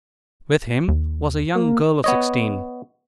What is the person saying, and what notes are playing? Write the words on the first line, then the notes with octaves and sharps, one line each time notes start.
With him was a young girl of sixteen.
D#2
A#3
B3 C#5 D#5